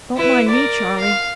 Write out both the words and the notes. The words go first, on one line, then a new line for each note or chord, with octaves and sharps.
Don't mind me, Charley!
E4 B4
A#4 D5
F5